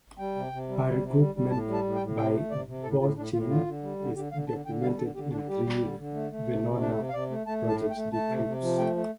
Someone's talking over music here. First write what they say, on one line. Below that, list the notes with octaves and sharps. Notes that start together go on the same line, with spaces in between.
Her recruitment by Wovschin is documented in three Venona project decrypts.
G3 G5
C3
C3
G3
G3
C3
G3
G3
A2 A5
G3
A5
A2
G5
A2
C3 G5
A3
C3 D5
C3
A2 A4
A2 F4
A2 D4
A2 F4
D3 F4
D3
G3
D3
D3 G4
D3 F5
D3 A5
D3 G5
G3 F5
D3 A4
D3 G4
D3 D4
G3 G4
G3
D3
D3
A3
A3
C3
C3
A3 D4
C3
F5
C3 D5
A3
A3 A5
A2
A5
A3
G5
A3
A3 A5
C3
C3
F3
A3 G5
A3